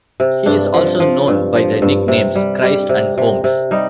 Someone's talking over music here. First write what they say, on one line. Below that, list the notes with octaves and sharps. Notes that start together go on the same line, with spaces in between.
He is also known by the nicknames "Christ" and "Holmes".
C3
G2 D4
F3
F3
G2
F3
G2
C3
G3
G3
C3
C3
C3
G3 D#4